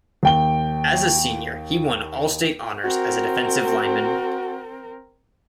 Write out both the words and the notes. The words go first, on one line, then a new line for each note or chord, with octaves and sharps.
As a senior, he won all-state honors as a defensive lineman.
D#2 G5 G7
C4 F#4 A#4